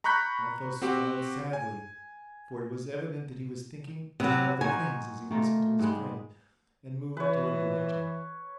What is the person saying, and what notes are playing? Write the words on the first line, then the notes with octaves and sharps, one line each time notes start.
Athos smiled sadly, for it was evident that he was thinking of other things as he listened to his friend and moved toward De Winter.
A#5 B5 C#6 F#6 G6 B6
C4 F#4 G4
G#5
C3 F#3 B3
D#3 F#3 C5 G#5
D#3 A3 A#3 F4
G#2 G3 G#3
E3 B4 C#5